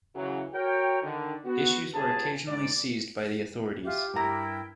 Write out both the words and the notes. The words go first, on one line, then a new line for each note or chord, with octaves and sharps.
Issues were occasionally seized by the authorities.
C#3 E3 F#3
F#4 A#4 C#5 G5
D3 D#3
B3 F#4
G1 C#2 G#4 A5
G#2 D5
F4 G4 E5
G2 E4 A#4 G5 A#5